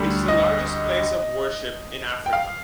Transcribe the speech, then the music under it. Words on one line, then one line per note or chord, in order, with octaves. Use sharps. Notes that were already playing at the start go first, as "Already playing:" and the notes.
It is the largest place of worship in Africa.
Already playing: D2 D3 G3
D#5
G5
F5